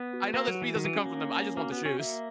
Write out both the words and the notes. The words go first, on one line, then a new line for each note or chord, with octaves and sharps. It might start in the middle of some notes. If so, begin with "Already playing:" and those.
I know the speed doesn't come from them. I just want the shoes.
Already playing: B3
F#4
A#3 B4
F#3
F#4
E3
D#3 F#4
E3
C#4
A#3
C#4
C#4
A#3 F#4
B3
F#4
C#4
A#3 E5